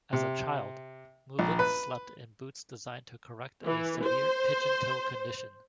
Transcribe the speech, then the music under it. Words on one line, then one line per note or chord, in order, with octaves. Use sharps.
As a child, Mullen slept in boots designed to correct a severe pigeon-toe condition.
C3
A#1
B4
E3
C5